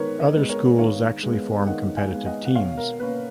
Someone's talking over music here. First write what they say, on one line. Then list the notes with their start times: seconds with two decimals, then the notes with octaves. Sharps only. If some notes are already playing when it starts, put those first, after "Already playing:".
Other schools actually form competitive teams.
Already playing: D#3 G#3 B3 A#4 B4 C#5
0.19 B4 D#5
0.35 G#3 B3
0.49 A#4 C#5
0.78 D#3 C#5 F5
1.23 G#3 B3
1.67 D#3 D#5 F#5
1.97 F5 G#5
2.11 G#3 B3
2.26 D#5 F#5
2.45 F#5
2.55 B2 C#5 F5
2.77 A#4
3.00 A#3 C#4 B4